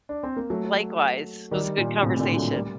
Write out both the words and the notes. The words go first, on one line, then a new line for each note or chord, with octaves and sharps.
Likewise. It was a good conversation.
D4
C4
A#3
F#3 A3
D#3 G3
A#2
A2 C3
A#2 D3
F#3 A3
G3 A#3